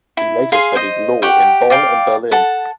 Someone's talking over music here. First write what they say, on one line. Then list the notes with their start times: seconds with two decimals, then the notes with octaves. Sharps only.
He later studied law in Bonn and Berlin.
0.17 E4
0.52 G#4 F5 G#5 C6
0.76 C5 D#5
1.22 G4 F#5 G5 C#6
1.70 D5 F5 G5
2.32 A4 F#5 A5